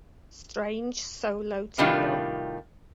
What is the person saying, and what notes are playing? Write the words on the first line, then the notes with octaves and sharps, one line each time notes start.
Strange solo tale.
A2 C3 D#3 G3 D4 F4